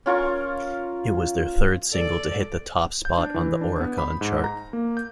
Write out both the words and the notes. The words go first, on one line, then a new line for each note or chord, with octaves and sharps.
It was their third single to hit the top spot on the Oricon chart.
C#4 F4 A#4 C#6
A4 D5
G6
D4
E3
D4
B3
B5
G#2
A#5
A#3
G6